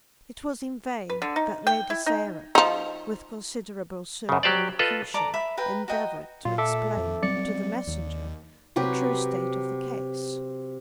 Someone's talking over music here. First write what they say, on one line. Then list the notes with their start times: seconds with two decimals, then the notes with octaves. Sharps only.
It was in vain that Lady Sarah, with considerable circumlocution, endeavoured to explain to the messenger the true state of the case.
1.10 B4
1.22 D3
1.36 D#4
1.67 G5
1.90 E4
2.06 D#4
2.55 F3 D#4
4.29 F#2 C#3
4.43 F#3 G4 C5 D5
4.79 F4 A4 B4 D#5
5.14 A4 D5 A#5 D6
5.34 E5 B5
5.57 A#4 B4 G5
5.88 F#4 A#4 D#5 G5
6.45 A#2 F4
6.58 A4 E5 D6
6.97 F2
7.23 F#3 G3 C4 D5 C#7
7.87 D#2
8.76 C3 F#3 G4 B4